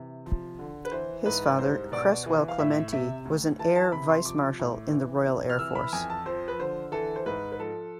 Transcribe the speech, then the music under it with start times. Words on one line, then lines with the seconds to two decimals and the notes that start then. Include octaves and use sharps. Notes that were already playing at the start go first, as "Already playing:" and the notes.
His father, Cresswell Clementi, was an Air Vice-Marshal in the Royal Air Force.
Already playing: C3 E3
0.26 F3
0.59 D3
0.85 B4
0.92 E3 C5
1.25 G#2 B4
1.59 C2 C5
1.92 B2 D5
2.26 E3
2.48 F5
2.59 A2 E5
2.92 C3 E5
3.25 D2
3.59 E3 A5
3.75 A5
3.92 C3 B5
4.09 C6
4.25 F3 D6
4.59 A2
4.92 E3
5.26 C3
5.50 F6
5.59 E3 E6
5.75 B5
5.93 F2 G#5
6.10 A5
6.26 F3 C5
6.48 B4
6.59 D3 C5
6.92 E3 A4
7.16 C5
7.26 G#2 B4
7.52 B4
7.59 F3 A4